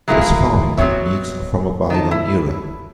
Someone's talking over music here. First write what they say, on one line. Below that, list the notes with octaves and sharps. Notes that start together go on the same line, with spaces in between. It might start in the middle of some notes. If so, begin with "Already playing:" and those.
Those farming techniques are from a bygone era.
F#3 G#3 A#3 E4 F4 G#4
B2 F#3 C4 C#4 C#5 E5
D#3 D#4 A5
E4